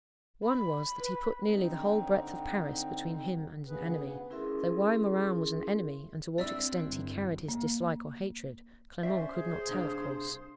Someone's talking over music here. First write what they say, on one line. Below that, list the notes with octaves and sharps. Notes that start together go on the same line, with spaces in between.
One was, that he put nearly the whole breadth of Paris between him and an enemy; though why Morin was an enemy, and to what extent he carried his dislike or hatred, Clement could not tell, of course.
B5
B4
D3 G3 C4 D#4
D2 C#3 B3 G#4 B4
C#4 E4 G#4 A#4 E5 C6
C4 D4 E4 D5 E5 E6
G1
A#3
C#4 C5 D5 E5
G#4
C2 D4 F5